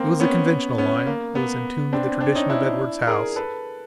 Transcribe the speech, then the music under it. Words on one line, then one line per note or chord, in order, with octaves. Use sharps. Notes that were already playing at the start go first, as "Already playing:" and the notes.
It was the conventional line; it was in tune with the tradition of Edward's house.
Already playing: A#3 C4
B3 C#4
B3 C#4
A#3
B3
C4 D4
C4 D4
C#4 D#4
D4 E4
G#4 A#4
A4 B4